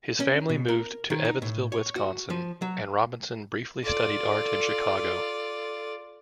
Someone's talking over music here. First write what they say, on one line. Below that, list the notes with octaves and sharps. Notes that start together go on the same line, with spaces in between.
His family moved to Evansville, Wisconsin, and Robinson briefly studied art in Chicago.
C#4
B2
A#4
D#3
D#4
A2
C#5
F#4
F3
F#3
F4 A4 D5